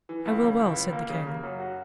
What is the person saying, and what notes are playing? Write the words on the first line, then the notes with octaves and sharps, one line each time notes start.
I will well, said the king.
E3
C#2
C#3
C#2
C#2
A#3
C#3
A#3
F#2
F#4